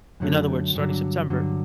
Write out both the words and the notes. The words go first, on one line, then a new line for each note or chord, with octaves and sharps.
in other words, starting September,
F#2 D3 F#3 A3
G2 D3 F#3
G2 D3 F#3